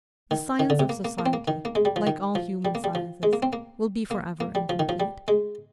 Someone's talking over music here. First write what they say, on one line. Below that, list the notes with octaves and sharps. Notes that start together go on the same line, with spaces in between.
The science of society--like all human sciences--will be for ever incomplete.
D#3
D#3
D3
C3
A#3
A#3
A#3
C4
A#3
D#3
A#3
G#3
G3
F3
D#3
F3
G3
A#3
G3
F3
G#3
A#3
C4
A#3
A#3
A#3
G3
F3
D#3
F3
G3
G#3